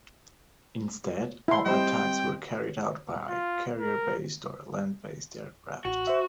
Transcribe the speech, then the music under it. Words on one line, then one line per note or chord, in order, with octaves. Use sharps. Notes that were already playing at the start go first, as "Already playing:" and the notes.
Instead, all attacks were carried out by carrier-based or land-based aircraft.
E4 C6
G3 C4 G4 C5 D#5 G5
F4
A#4
A1 F#4
C5 E5